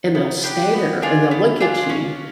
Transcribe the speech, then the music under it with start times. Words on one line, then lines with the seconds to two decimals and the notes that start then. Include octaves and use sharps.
and they'll stare, and they'll look at you.
0.15 B3
0.44 D4 G4 B4
0.73 B3
1.02 D4 F4 G#4
1.31 B3
1.60 D4 F4 G#4
1.89 C#4